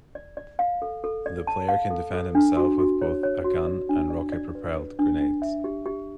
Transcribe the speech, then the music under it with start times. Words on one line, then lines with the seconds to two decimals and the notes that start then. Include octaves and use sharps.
The player can defend himself with both a gun and rocket-propelled grenades.
0.15 D5
0.37 D5
0.59 F5
0.82 A4
1.04 A4
1.26 D5
1.47 A5
1.69 F5
1.90 A4
2.14 A4
2.35 D4
2.57 F#4
2.78 F#4
3.01 C#5
3.23 C#5
3.44 F#4
3.67 D5
3.89 D4
4.10 D5
4.32 D5
4.55 B4
4.77 B4
4.99 D4
5.20 D4
5.42 E5
5.64 G4
5.86 G4